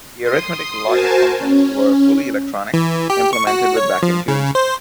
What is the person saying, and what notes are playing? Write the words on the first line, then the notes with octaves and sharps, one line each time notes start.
The arithmetic logic functions were fully electronic, implemented with vacuum tubes.
C6 D#6
F#4 A#4 C5 G#5 A5
C#4
E3
G4
C#6
F#4
C#5
F3
C#3
C5